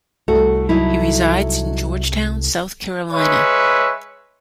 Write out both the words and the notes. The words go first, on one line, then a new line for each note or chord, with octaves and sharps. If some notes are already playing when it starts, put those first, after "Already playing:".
He resides in Georgetown, South Carolina.
C2 A3 F#4
F#3 D#4 E4
G#3 B4 C#5 E5